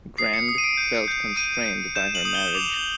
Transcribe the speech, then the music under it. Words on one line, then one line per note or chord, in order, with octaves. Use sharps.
Grand felt constrained by her marriage.
D#6 C7
C#7
D#6
D#7
D7
G6
G6
D#6 D#7
G6
G6 E7
F#7
D#6
G7
D6 F7